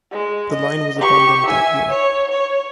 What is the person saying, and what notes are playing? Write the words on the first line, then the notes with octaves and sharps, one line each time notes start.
The line was abandoned that year.
G#3
D#5
G4 C#6
E5 G#5
C#5
C#5